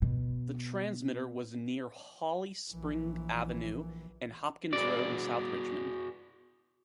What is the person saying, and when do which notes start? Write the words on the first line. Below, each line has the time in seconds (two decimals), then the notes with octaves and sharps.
The transmitter was near Holly Spring Avenue and Hopkins Road in South Richmond.
0.02 B2
2.72 A#1 E3
4.73 F#4 G#4 B4 D5